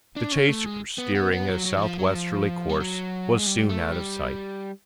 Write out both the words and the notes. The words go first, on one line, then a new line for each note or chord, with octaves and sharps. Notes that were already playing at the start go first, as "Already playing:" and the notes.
The chaser, steering a south-westerly course, was soon out of sight.
D4
C#4
A3
G#3
B3
B3
B3
F#3
F#3
E3
F3
F#3
F3
G3
F#3
G#3
G3
A3
G3